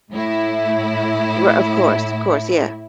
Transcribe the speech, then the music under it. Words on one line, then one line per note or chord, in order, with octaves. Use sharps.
Ri of course, of course, yeah.
A2 E4